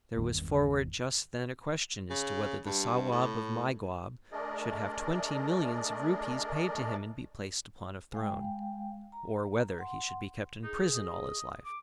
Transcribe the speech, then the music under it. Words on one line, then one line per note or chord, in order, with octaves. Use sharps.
There was forward just then a question as to whether the Sawab of Mygawb should have twenty millions of rupees paid to him and be placed upon a throne, or whether he should be kept in prison all his life.
G#1 E2 G2 D#3
C#3
G2
A2
A3 D4 G#4 A#4 D5 D#5
G#3 F5 G5
A#5
F#5 C6
D#4 G#4
D#5
D6